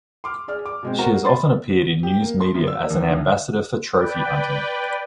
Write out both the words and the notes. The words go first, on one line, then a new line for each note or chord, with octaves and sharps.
She has often appeared in news media as an ambassador for trophy hunting.
C6 D6 F6
G#4 D5 F6
D6
B2 G#3 C4
F#4 A#4 C5
B5 C6 A6
G4
A#3
C6
F#2
E6
A#4
D#2
D2
B4 D5 G5